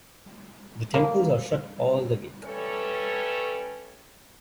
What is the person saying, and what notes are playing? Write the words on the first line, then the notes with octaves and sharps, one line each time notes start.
The temples are shut all the week.
A#3
G3 A3 C#4 A4 B4 C#5